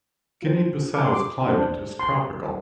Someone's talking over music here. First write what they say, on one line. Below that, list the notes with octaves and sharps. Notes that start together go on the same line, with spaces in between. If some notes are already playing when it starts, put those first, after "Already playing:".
Guinea-Bissau's climate is tropical.
F4 C5
D6
C6
D6
D4 A4 C5
C6